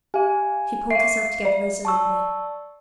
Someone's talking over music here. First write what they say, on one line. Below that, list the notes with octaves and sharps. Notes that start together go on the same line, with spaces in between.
She pulled herself together resolutely.
G4 F5 G#5
E5 F5 C7
D5
A5 C#6 E6